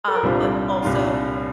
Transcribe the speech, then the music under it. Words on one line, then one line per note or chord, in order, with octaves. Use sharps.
Um, but also
A4
A#4
C2 A#2 G3 D4 F4 C5
C2 A#2 G3 D4 F4